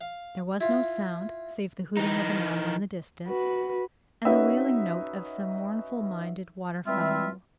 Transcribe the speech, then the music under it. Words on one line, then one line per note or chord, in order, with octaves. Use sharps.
There was no sound save the hooting of an owl in the distance, and the wailing note of some mournful-minded water-fowl.
F5
E4 F4
E3 D#4
F#4 B4
C#4 D#4 F#4 B4 E5
E3 G3 G#3 C4 F4 E5